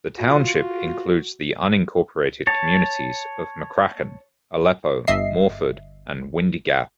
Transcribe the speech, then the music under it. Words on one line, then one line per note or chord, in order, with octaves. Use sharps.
The township includes the unincorporated communities of McCracken, Aleppo, Morford, and Windy Gap.
F4 F#4
C#5 A5
G1 D#5 E5 C7